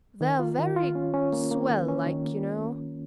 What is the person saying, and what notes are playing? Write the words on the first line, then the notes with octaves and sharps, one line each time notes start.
"They're very swell-like, you know."
D#3
F4
D#3
F4
C#4
C#4
A#3
A#3
D#3
C#4
D#3
A#3